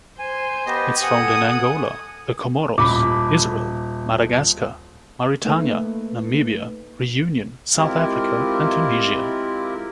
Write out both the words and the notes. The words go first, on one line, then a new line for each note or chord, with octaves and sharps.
It’s found in Angola, the Comoros, Israel, Madagascar, Mauritania, Namibia, Reunion, South Africa and Tunisia.
C5 G#5
B3 G4 D#5
A4 F#5 G#5 D#6
D#1 B5 D6
A3 A#3 D#4 B4
G#3 C4 E4 F4 G4 A#4